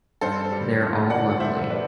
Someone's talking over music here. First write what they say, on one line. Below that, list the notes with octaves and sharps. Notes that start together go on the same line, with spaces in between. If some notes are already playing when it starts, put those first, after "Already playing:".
They're all lovely.
G2 A4 C5
G3
D4
D3 D5 F#5
F#5
G2 C5 E5
G3 B4 D5